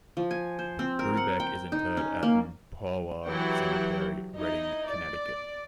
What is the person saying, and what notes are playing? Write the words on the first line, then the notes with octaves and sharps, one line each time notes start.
Brubeck is interred at Umpawaug Cemetery in Redding, Connecticut.
F3
G#5
C5
C4
A#4
F#5
G5
D#4
C#4
A#3
E3 F#3 E4 G4 F#5 G5
D#4 E4 D#5
D5